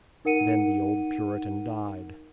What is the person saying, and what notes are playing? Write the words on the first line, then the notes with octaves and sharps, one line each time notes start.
Then the old Puritan died.
D#4 A#4 F#5 C#7 D#7